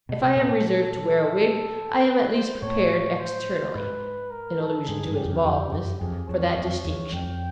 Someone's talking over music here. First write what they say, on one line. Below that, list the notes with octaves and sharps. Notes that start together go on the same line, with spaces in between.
If I am reserved to wear a wig, I am at least prepared, externally,' in allusion to his baldness, 'for that distinction.
B2
C3
A#2 A4
B4
C5
A2 C#5
C5
G#2 B4
A#4
A4
G#2 G#4
G2
G4
F2
F2 G4
F#2
F2 G#4
F2 C#5
F2
E2
F2 G5